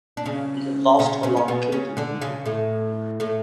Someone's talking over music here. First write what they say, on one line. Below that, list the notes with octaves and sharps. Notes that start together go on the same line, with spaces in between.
We have lost a lot killed and wounded.
D4
C#3 C#4
C#3 C#4
C#3 C#4
C#4
B2 B3
C#3 C#4
D3 D4
C#3 C#4
A2 A3
A2 A3